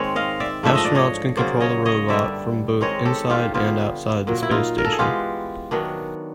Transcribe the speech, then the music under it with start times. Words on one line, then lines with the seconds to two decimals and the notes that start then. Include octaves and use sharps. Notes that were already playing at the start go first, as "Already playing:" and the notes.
Astronauts can control the robot from both inside and outside the space station.
Already playing: G#2 D#3 G#3 C4 C#5
0.16 D#5 F5
0.40 D5 E5
0.63 G#2 F3 A3 D4 E5
0.75 D#5
0.85 D5
0.95 C#5 D#5
1.37 C#3 F#3 A#3 C5 D5
1.60 C#5 D#5
1.85 C#5 D#5
2.09 G2 D3 G3 D5 E5
2.81 D#3 G#3 C4 D#4 C#5 D#5
3.05 G4 A4
3.30 F4 G4
3.54 D3 G3 B3 F4 G4
4.27 A#2 F#3 A#3
4.43 E4
4.51 D#4 F4
4.78 A#4
4.85 A4
4.92 G#4
4.99 E3 G#3 B3 F4 G4
5.71 D#3 F#3 B3 D4